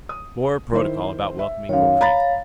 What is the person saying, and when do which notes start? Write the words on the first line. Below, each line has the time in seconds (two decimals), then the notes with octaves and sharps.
More protocol about welcoming Gorkrink.
0.09 D#6
0.73 D#3 E4 C5
1.39 E5
1.69 F#2 D#3 C#5 F5
2.01 A#5 B5 A6